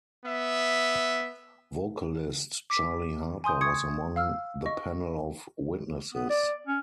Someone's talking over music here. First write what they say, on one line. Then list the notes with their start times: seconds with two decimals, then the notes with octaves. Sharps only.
Vocalist Charlie Harper was among the panel of witnesses.
0.24 B3 E5
2.70 D6 B6
3.44 G#5 C6 D#6 G6
3.61 C#6 D#6 G#6 C#7
4.16 F5 E6 F6
4.66 D#5 C#6
6.14 B3
6.29 D5
6.67 C#4